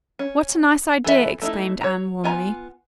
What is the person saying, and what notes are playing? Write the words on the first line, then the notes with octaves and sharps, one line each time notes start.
"What a nice idea!" exclaimed Anne warmly.
C#4
E3 A4 E5
A3 D#4 E4
C#5 A#5
B3 F4 G#5 A#5